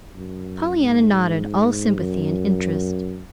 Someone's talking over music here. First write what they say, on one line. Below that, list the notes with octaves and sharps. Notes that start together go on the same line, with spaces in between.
Pollyanna nodded, all sympathy and interest.
F#2
G#2
F#2